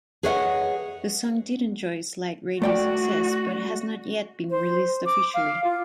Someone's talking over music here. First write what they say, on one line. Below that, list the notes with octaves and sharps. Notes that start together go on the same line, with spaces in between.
The song did enjoy slight radio success, but has not yet been released officially.
G#4 B4 C#5 D#5 E5 F#5
A3 F#4 D5 G5
C5
D6
F5
F4